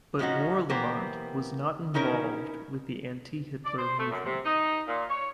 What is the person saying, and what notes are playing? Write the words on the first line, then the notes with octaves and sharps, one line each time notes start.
But Warlimont was not involved with the anti-Hitler movement.
A2 F3 C#4 D#4 F#4
E3 A#3 B3 G4 C5
C#4 D#4 E4 A#4 C#5
D5
C5
A3
F#2
C3
D#4
A#2
C#5